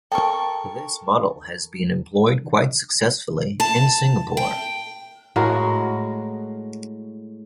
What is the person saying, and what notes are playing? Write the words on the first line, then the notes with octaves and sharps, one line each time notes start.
This model has been employed quite successfully in Singapore.
A4 A#4 G5 C#6
A5
G5
A2 G#3 F#4 A#4